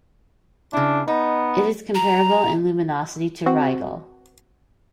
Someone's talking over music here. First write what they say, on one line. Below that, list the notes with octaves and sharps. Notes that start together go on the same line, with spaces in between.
It is comparable in luminosity to Rigel.
C#3 D4 E4
B3 D#4
A#5
C4 F#4